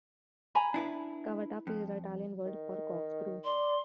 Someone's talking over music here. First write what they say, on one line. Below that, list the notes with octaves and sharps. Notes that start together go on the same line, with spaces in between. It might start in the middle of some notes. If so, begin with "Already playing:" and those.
"Cavatappi" is the Italian word for corkscrew.
G#5 A#5 B5
D4 E4 B4
F2
D#3
D5 C6